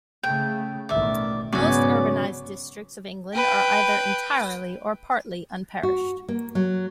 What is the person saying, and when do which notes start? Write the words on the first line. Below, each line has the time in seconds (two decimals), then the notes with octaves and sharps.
Most urbanised districts of England are either entirely or partly unparished.
0.23 C#3 A3 G5
0.89 A1 B2 D#3 D5 E5
1.52 B1 G#2 C#3 F#3 B3 C#4 F#4 D5
3.34 B4 G5
5.83 F#4
6.28 A#3
6.55 F#3